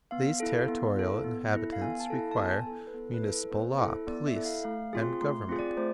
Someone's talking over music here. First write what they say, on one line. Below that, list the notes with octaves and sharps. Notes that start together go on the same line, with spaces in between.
These territorial inhabitants require municipal law, police, and government.
B3 F5
E4 A4
B3
E4 A4
B3
E4 A4
F5
B3 G#5
A5
E4 A4
F5
A5
B3 G#5
E4 A4
B4
B3 A4
B4
E4 A4
B4
B3 C5
E4 A4
B3 D5
E5
E4 A4
F5
A3 F5
C4 F4 G#4
C6
A3 C6
C4 F4 G#4
D5
A3 C5